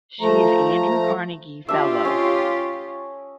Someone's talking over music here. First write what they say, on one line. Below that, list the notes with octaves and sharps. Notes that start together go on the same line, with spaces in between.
She is an Andrew Carnegie fellow.
F3 A3 A#5
D4 F4 G4 E5
C#4 D#5